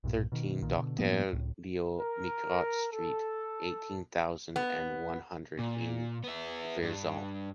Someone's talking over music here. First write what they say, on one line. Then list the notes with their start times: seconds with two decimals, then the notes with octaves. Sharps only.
Thirteen Docteur Léo Mérigot street, eighteen thousand and one hundred in Vierzon.
0.04 B1 G2 A#2
0.32 B2 D#3
0.62 B1 A#2 D#3
0.76 B2 D3
0.99 A2 F3 A#3 B3
1.33 C#2 A2
1.99 A#4
2.91 A4
4.56 B3
5.59 A#2
6.24 B3 E5
6.83 G2